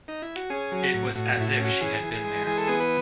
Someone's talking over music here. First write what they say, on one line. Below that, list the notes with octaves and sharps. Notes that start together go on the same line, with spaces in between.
It was as if she had been there.
D#4
E4
F#4
C#4 G#4
F#3
F#4
A2
A2 F#4
F#4
A2 E4
F#4
C#4 F#4
E3 G#4
E3
G#4
G#3
E3 G#4
A4
B3 G#4
B4